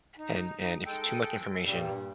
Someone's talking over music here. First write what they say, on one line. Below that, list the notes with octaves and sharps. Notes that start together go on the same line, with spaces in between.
And and if it's too much information,
D#4
G#3 A4 G5
G2 A#2 G3